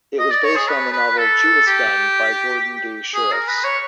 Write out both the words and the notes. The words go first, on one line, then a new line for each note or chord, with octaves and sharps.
It was based on the novel "Judas Gun" by Gordon D. Shirreffs.
D#5
D5
C#5
G#4
B4
B4
A4
G4
G#4
A#4
B4
C#5